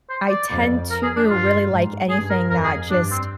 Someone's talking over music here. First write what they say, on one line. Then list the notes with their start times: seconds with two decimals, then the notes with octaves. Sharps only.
I tend to really like anything that just
0.10 C5
0.29 D5
0.50 F2
0.90 A#4
1.03 G#4
1.16 D4
1.29 G2 F4
1.70 G#2
2.10 G2 G#4
2.30 A#4
2.50 F2 A#4
2.64 G#4
2.91 G2 D4
3.11 C4